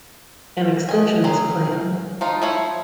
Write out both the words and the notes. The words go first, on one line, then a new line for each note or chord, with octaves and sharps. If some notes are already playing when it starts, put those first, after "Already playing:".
An extension is planned.
D#5 G#5
F#3 C#4 G#4
F3 D#4 F4
F3 E4 C#5